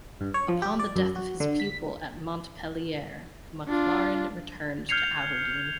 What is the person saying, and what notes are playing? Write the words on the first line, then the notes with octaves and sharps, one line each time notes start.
Upon the death of his pupil at Montpellier, Maclaurin returned to Aberdeen.
G2
C#5
F3
G4
D5
F#2
F#4
D3
B6
D4 F4
F6 G6 G#6 C7 C#7 F7